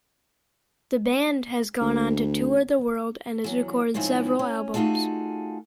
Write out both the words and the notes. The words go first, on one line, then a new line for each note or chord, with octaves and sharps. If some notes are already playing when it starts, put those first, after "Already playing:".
The band has gone on to tour the world and has recorded several albums.
D2
E2 F#3
G#2 D#3 F3 C4 C#4 E4
C#4
A3 D#4 F4 F#4 G#4 A4